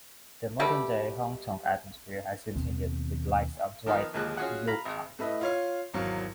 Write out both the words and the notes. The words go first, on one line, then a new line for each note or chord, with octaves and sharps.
The modern-day, honk-tonk atmosphere has continued, with likes of Dwight Yoakam.
B2 G3 A3 G4
D#2 B2 D#3 C4
D#3 F3 B3 D#4
A#1 D#2 D3 F3 G#3 F#6
C#4 F4 F#4 G#4 F#5
F5 A#5 B5
G#1
A2 A3 B4 D#5
F4 C#5 F5
G#1 E2 F#3 F5 C#6